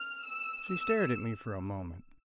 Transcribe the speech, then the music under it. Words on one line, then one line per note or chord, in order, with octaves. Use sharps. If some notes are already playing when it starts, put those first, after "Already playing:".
She stared at me for a moment.
Already playing: F6
E6
E6